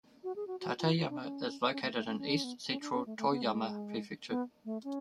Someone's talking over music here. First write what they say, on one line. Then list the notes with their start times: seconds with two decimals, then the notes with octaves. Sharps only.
Tateyama is located in east central Toyama Prefecture.
0.24 F#4
0.36 G#4
0.47 F#4
0.60 F#4
0.79 F4
0.97 F4
1.09 D4
1.22 C#4
1.70 C#4
1.83 A3
1.95 A3
2.08 C#4
2.19 C#4
2.26 D4
2.36 C#4
2.44 B3
2.69 C#4
2.81 D4
2.93 C#4
3.06 A3
3.18 A3
3.30 B3
3.42 G#3
4.29 B3
4.65 A3
4.84 C#4